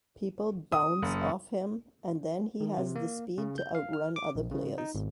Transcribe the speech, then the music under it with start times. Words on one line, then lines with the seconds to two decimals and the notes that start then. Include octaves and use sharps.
People bounce off him and then he has the speed to outrun other players.
0.72 D#6
1.02 F#1
2.60 D#3
2.78 C3
2.96 A#3
3.38 C#3
3.58 G6
3.75 F5
3.93 F6
4.16 D6
4.35 A#1
4.51 C#3
4.78 D#4
4.95 G#1